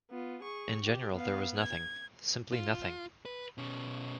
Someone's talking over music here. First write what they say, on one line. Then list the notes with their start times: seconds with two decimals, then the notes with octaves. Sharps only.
In general there was nothing - simply nothing.
0.10 B3 F4
0.44 G#4 C#6
0.83 G4
1.15 B3 F5
1.58 G#6
2.52 F4
3.25 B4
3.58 B2 C#4